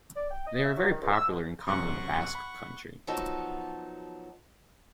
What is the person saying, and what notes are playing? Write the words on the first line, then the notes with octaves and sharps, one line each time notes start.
They are very popular and common in the Basque Country.
D5
G5
D#5
E5
F#3
D#3
C#2
E6
B2
F#2 C3 F#5 C#6
B5
F3 F#3 B3 D#4 F#4 A4